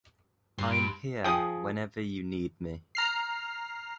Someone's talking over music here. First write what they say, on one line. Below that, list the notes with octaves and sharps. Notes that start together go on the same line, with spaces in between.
I'm here whenever you need me.
G2 C6
D7
F3 G#4 G5 D#6
A#5 F6 C7